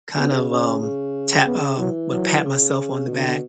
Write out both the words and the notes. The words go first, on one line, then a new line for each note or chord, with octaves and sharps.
kind of, um, tap um, well, pat myself on the back,
C#3 B3
D3
C#3
C#3 C#4
C#3
B3
E3 F#3
F#3
C#3
B2 D3